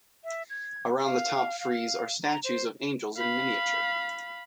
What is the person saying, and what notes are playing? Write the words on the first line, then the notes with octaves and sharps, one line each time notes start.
Around the top frieze are statues of angels in miniature.
E5
G#6
F5
F5
A#5
C5
F5 B5